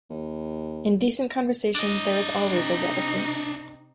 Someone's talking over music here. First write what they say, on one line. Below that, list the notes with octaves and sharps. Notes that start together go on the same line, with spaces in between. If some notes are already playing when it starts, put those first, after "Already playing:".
In decent conversation there is always a reticence.
D#2
D4 D#5
C3 D#4